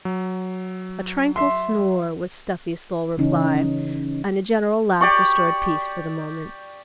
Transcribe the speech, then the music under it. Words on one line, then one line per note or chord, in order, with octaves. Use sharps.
A tranquil snore was Stuffy's sole reply, and a general laugh restored peace for the moment.
F#3
E5 C6
C#3 E3 C#4 D#4
G4 D5 C#6